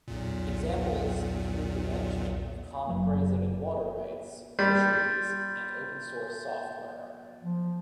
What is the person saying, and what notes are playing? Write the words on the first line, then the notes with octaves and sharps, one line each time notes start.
Examples include the management of common grazing and water rights; fisheries and open-source software.
B1 E2 A#2
F#1 F#3 A#3
G3 C6 G6 A6
F3